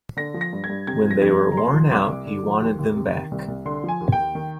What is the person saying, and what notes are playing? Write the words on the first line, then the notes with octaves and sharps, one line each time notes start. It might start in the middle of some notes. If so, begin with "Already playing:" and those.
When they were worn out, he wanted them back.
D3 A#6
F3
A#6
G2
G#6
G2
C3 G#6
F3
A#6
F2 G#6
F2
A#5
A#2 C6
F3
C2 D6
C2
D3
F3
D#2
D#2
C3
D#3
C2
C2
D3 C6
F3 G#5
D#2
G5
D#2
D#3